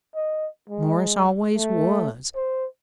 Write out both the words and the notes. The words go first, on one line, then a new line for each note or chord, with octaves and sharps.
Morris always was.
D#5
G#3
A3
C5